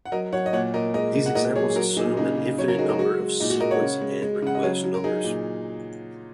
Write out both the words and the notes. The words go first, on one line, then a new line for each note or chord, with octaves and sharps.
These examples assume an infinite number of sequence and request numbers.
F#5
F#3 A#4 D#5
F#3 C#5 F#5
D#5
A#2 C#5 F#5
A#2 A#4 D#5
G#3 A#4 D#5
G#3
F#5
A#2 A#4 D#5
F#3 G#4 C#5
G#4
F#3 F#4 A#4
A#2 D#4 G#4
C#3 D#4 G#4
C#3
F#3 C#5
F#4 A#4
F#3 D#4 G#4
F#4 A#4
G#3 F#4
G#3
A#2 D#4
F#4
G#3 A#4 D#5
C#5 F#5
C#3
G#3
G#3
C#3 F#5
D#5
F#3 G#4 C#5
F#3
A#4
F#3 D#4 G#4
A#2